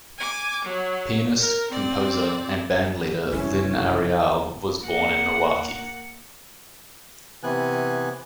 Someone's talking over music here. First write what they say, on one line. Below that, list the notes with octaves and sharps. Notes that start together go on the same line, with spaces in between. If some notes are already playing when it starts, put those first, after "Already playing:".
Pianist, composer, and bandleader Lynne Arriale was born in Milwaukee.
G#5 D6
F#3
A#4
C4 D5
F#1 C2 G2 E3 C#4 G#4
A#3 F#5
C3 E3 B3 G#5 F#6